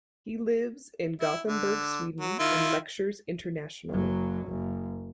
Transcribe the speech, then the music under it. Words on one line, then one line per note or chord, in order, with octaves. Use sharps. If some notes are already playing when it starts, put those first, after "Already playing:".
He lives in Gothenburg, Sweden, and lectures internationally.
E4
D3
F#3
D#3 E4 F4
F#1 F#3
F#1